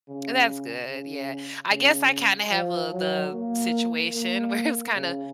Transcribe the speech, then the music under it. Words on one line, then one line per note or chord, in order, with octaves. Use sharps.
And that's good yeah. I guess I kinda have a the situation where it was kinda
C#3
C#3
C#3
F3
F#3
A#3
A#3
C#3